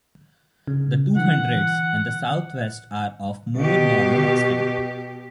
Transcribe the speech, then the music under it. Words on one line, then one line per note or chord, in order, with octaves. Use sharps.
The two hundreds in the south-west are of more normal extent.
C#3
D3 E3 F#5
B2 G4